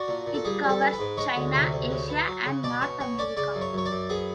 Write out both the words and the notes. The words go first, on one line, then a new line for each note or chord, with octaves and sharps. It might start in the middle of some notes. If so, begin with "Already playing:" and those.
It covers China, Asia and North America.
Already playing: D4 F#4
A#2
A#2
A4
G3 G#4
G3
A4
B3
B4
G#2
G#3 C#5
D2
C3
D2
C#3
B3
F#3
C#3
B2 D5
B2 C#5
B2 C#5
C#4 D5
C#3 D5
F#2
C#5
F#2 C#5
D5
F#2
B3 G#4